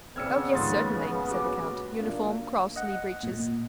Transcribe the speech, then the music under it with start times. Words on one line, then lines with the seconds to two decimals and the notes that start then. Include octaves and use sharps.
"Oh, yes, certainly," said the count; "uniform, cross, knee-breeches."
0.16 C#3 B3 C4 D5 E6 F6 G#6 C#7
0.52 A#1 D#2 G#2 C6 D#6 A6
1.31 F#4 D6
1.98 A#3 D4 F4
2.76 D#5 F#5
3.23 A#2